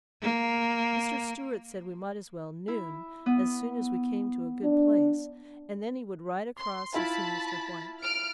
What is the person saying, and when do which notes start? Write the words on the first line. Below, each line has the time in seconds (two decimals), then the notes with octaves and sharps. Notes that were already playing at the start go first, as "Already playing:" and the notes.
Mr. Stewart said we might as well "noon" as soon as we came to a good place, and then he would ride across and see Mr. White.
0.22 A#3
2.68 E4
3.26 B3
4.63 D4
6.58 C6
6.94 E4 F4 A5 B5
8.00 F6 D7